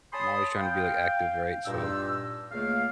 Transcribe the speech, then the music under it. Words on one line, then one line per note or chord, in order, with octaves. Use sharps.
I'm always trying to be, like, active, right? So
C#5 G#5 A5 B5 C6 D#6
F5 G5
G2 A#2 D#4 E6
C#2 C#3 A3 A#3 F5